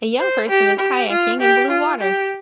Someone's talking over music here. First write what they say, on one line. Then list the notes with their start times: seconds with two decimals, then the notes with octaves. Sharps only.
A young person is kayaking in blue water.
0.20 C5
0.49 G4
0.79 G4
1.10 F4
1.40 G4
1.70 F4
2.00 G4